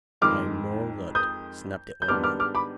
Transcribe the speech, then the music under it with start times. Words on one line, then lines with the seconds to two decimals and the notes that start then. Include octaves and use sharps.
"I know that," snapped the old man.
0.21 F2 D#3 G#3 D6 F6
1.15 D#6 G6
2.02 G6
2.08 G#2 D#3 G3 B3 D4 D6 F6
2.24 D6 F6
2.40 D6 F6
2.55 B5 D6